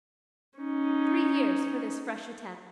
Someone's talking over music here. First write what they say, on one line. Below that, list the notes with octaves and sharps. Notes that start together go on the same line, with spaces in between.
Three years for this fresh attempt.
C#4 D#4